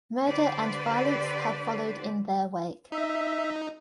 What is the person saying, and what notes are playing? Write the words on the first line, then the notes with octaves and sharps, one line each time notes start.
Murder and violence have followed in their wake.
D3 G4 B4 C5 D5
D#4 E5